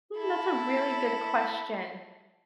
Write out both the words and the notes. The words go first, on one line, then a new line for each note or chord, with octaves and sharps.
Hmm, that's a really good question.
E4 A4